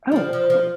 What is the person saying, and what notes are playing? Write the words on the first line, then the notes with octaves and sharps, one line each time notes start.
Oh oh
G3
F3
F3
F3